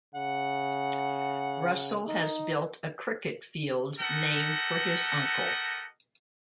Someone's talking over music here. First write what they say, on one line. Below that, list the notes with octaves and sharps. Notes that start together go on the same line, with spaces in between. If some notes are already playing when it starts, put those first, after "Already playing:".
Russell has built a cricket field named for his uncle.
C#3 F#5
D#4
G4 A4 A#4 D#5 F#5